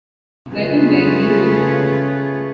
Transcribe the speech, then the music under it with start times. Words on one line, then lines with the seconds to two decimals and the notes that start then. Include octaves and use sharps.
Welpen wear green uniforms.
0.52 C#3 A3 C#4 F4 G#4 B4